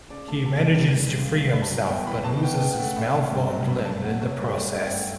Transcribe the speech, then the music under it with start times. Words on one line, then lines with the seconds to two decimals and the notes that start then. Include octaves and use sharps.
He manages to free himself but loses his malformed limb in the process.
0.10 C#3 D5
0.28 A3 A5
0.46 E2 A5
0.58 A5
0.64 G3
0.82 E2
1.00 G3
1.17 C#2
1.36 A3
1.53 G2 B5
1.62 A5
1.71 F#3
1.81 F#5
1.89 E2 G5
2.07 E3 B5
2.24 B2 A5
2.43 B3 G5
2.60 C#3 G5
2.73 F#5
2.78 A3
2.84 F#5
2.96 A2 E5
3.14 C#4 A5
3.32 G2
3.50 F#3
3.68 F#2 B5
3.85 A3 A5
4.03 E2 F#5
4.21 F#3 C#5
4.39 G2 C#5
4.57 A3 C#5
4.75 F#2 E5
4.84 G5
4.93 A3 F#5
5.02 E5